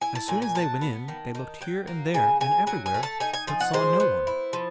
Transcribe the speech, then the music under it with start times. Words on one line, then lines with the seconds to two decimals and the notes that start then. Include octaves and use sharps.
As soon as they went in, they looked here and there and everywhere but saw no one.
0.01 E4 G#5
0.15 A5
0.28 A#2 G#5
0.42 G#5
0.55 F#3 A5
0.81 B3
1.08 D#3
1.35 D#3
1.61 F#3 G5
1.87 A#3
2.14 C#3 G#5
2.41 C#3 G#5
2.67 F#3 G#5
2.86 G#5
2.94 A3
3.03 A5
3.20 D#4 G#5
3.33 G#5
3.47 F3 G#5
3.60 F#5
3.73 G#3 C5
4.00 B3
4.27 E4
4.53 F3